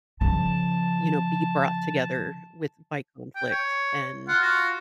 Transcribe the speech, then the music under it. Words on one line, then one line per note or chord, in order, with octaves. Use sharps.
you know, be brought together with by conflict. And,
C#3 F3 A5
G5
C#5
F4 F#5
F#4